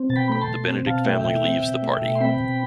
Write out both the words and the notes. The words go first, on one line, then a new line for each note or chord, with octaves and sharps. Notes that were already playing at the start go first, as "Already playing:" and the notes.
The Benedict family leaves the party.
Already playing: C4
B2 A5
G5 B5
A3 B5
A5 C6
B2
C4
B2 F5 A5
A3 E5 G5
B2 E5 G5
C4
B2
A3
B2
C6
C4 G5 B5
B2